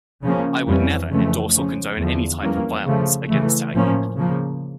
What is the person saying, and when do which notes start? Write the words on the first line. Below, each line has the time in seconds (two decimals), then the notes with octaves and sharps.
I would never endorse or condone any type of violence against our youth.
0.23 C#3 F3 A#3 C#4
0.67 F2 E3 G3 C#4
1.11 F2 C#3 E3 A3 C#4
1.54 C#3 F3 C#4
1.98 E2 D3 F3
2.41 F2 E3 G3 A#3 C#4
2.85 C#3 F3 A3
3.28 C#3 E3 A3
3.73 A2 F3 A#3 C#4
4.16 C#3 F3 A#3